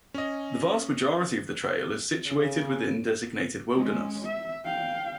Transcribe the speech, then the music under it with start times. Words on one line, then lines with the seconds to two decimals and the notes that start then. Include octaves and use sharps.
The vast majority of the trail is situated within designated wilderness.
0.14 C#4 D#5
2.26 C#3
3.76 G#3 C#4
4.24 E5
4.65 F5 G5